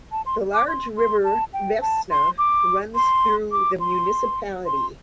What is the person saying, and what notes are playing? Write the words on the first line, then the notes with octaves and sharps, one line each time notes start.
The large river Vefsna runs through the municipality.
A5
C6
D6
C6
C6
A5
G5
A5
C6
D6
C6
D6
C6
C6